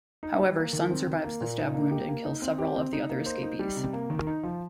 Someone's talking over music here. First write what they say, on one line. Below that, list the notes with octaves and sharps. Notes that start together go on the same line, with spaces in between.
However Sun survives the stab wound and kills several of the other escapees.
D#4
G3
A#3
D#3
C4
D#3
A#3
A#2
D#4
A#3
G4
A#3
D#4
C4
G4
C4
D#4
A#3
C5
D#4
G3
C3
A#3
D#3
D#4
F3